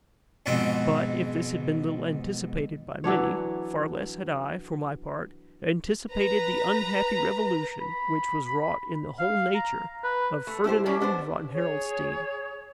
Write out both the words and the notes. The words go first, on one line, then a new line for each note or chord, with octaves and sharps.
But, if this had been little anticipated by many, far less had I, for my part, anticipated the unhappy revolution which was wrought in the whole nature of Ferdinand von Harrelstein.
F2 G#2 B2 C4
E3 F#3 D4 C#5
B4 A#5
B5
F5
A#5
B4
A3
D4 E4 G4 C5
F#3 G3 C#4 E4 G4
B3 D4 A#4 C5
G#4 C#5